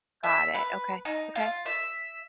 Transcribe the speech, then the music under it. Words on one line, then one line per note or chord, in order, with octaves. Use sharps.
Got it, okay. Okay.
E5
B4
D#4
F4
E5